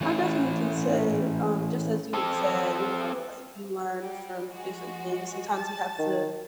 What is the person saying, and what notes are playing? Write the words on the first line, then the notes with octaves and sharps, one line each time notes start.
I definitely can say, um, just as you would say, you know, like, you learn from different things. Sometimes you have to,
E3 A3 C#4 E4
C4 A4
G3
F3 G#3 F#4
A5 A6
D#3